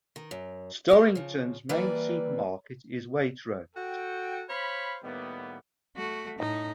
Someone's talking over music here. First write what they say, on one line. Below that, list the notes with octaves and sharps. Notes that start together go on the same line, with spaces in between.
Storrington's main supermarket is Waitrose.
D#3
F#2
B3 G4 D#5 F5
C#3 F3
E3 G3 A#3 E4 B4 D5
F#4 A4 G5
C5 C#5 F5 B5
A2 D#3 G3 A#3 B3
A3 F#4
A2 D#4